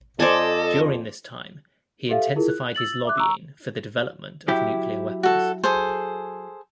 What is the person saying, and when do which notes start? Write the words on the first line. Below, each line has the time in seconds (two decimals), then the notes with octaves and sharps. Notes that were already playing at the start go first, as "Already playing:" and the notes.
During this time, he intensified his lobbying for the development of nuclear weapons.
0.20 F2 A4 C5 D5 D#5 G#5
2.09 G4 A4 E5 F5
2.36 E4 F4 G#4 A#4
2.48 F#6
2.75 E6 A6 F#7
3.05 E5 D6 F#6
3.17 A#5 C#6 E6
4.48 F#3 E4 G4
5.23 F#4 A4
5.64 G#4 A4 C5